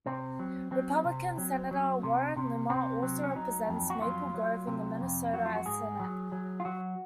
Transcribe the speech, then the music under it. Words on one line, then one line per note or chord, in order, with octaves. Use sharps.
Republican senator Warren Limmer also represents Maple Grove in the Minnesota Senate.
C3 C4
F#3
F#3 C4
C3
F#3
F#3
C3
C3
C3 C4
F#3
C#4
F#3 D#4
F2
F#4
F#3 F4
F#3
C3
F2
F#3 F#4
F4
F#4
G#2 G#4
F#3
F#3
F4
F#3 F#4